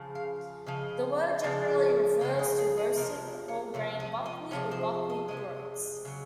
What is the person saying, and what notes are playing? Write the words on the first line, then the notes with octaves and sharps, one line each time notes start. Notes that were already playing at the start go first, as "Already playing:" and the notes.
The word generally refers to roasted whole-grain buckwheat or buckwheat groats.
Already playing: C#3 F3
F5
C#3 F3 D#5
C#3 F3 G#3
C#3 F3 G#3 D#5
D#5
G#4
G#4
C3 F3 G#3 A#4
C#5
C3 F3 C#5
D#5
D#5
C3 F3 G#3 C#5
C5
D#5
C3 F3 G#3 D#5
C#3 F#3